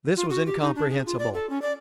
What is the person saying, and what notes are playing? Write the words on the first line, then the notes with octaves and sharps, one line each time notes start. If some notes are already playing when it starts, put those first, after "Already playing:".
This was incomprehensible.
F4
F#4
G4
D#4
D4
G#4
F4
D5
A4
C#4
D5